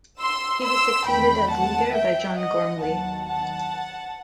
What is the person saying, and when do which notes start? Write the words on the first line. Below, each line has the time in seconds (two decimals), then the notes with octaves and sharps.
He was succeeded as leader by John Gormley.
0.19 C6 E6
0.62 C6 E6
1.06 E2 D#3 A3 C4 G5 B5
1.50 F#5 A5
1.93 E5 G5
2.37 D#5 F#5
2.80 D#2 D#3 F#3 B3 F#5 A5
3.25 F#5 A5